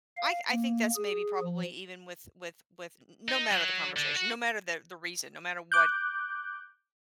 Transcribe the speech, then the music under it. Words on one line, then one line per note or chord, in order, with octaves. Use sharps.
I I think that's maybe probably even with with with n n no matter the conversation, no matter the the reason, no matter what
F5
A#3
G#4
F3
D#4
F#3
D3
F#4
D6 F#6 G6